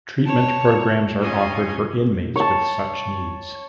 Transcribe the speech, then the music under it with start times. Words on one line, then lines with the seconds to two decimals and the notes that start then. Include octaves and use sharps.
Treatment programs are offered for inmates with such needs.
0.25 C#5 A5
1.20 C#4 F4 D#5 G#5
2.36 C#5 A5